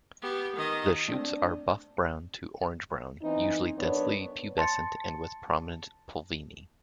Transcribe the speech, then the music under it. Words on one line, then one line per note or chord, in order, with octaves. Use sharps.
The shoots are buff-brown to orange-brown, usually densely pubescent, and with prominent pulvini.
B3 G4
D#3 D#5
A3 C4 D4
E3 B3 C4 D#4
F#2 B3 D4 B4 C#5
A5 C6 A6 C#7